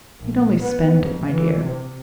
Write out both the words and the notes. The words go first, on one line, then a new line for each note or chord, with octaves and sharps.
"He'd only spend it, my dear."
A#1
B3
F2
E3
C3